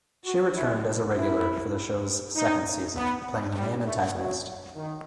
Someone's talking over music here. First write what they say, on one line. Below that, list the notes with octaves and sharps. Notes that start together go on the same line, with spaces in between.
She returned as a regular for the show's second season, playing the main antagonist.
F#4
E4
E4
D#4
B3
G3
A3
F#3
D#3